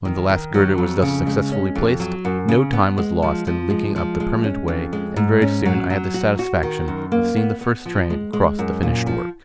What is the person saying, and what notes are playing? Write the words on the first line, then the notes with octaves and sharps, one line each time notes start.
When the last girder was thus successfully placed, no time was lost in linking up the permanent way, and very soon I had the satisfaction of seeing the first train cross the finished work.
D#3
D#3
F#3
F2
C#3
G#3
C#4
F2
F#3
F#2
C#3
B3
G#3
F3
F3
G#3
F3
G#3
C#4
F2
G#3
G#2
C#4
F#3
F#3
F#4
F#4
D#3
F#2
A#3
B3
B3
F3
G#3
G#3
F#2
A#2
F3